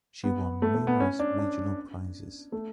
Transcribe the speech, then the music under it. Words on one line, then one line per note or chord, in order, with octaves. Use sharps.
She won numerous regional prizes.
B3
A3
A3
B3
C#4
D4
D4
A3